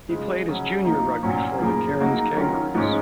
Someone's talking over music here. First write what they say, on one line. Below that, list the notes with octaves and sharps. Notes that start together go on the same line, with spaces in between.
He played his junior rugby for the Cairns Kangaroos.
C#3 F3 G#3
C#3 F#3 C#4 G#4
F3 A#3 D#4
A#2 F#3 A#3 C#4
F#2 C#3 F3 A#3
C#3 F#3 A#3 D#4 F#4
D#3 F#3 C#4 F4 A#4
G#2 F3 G#3 C#4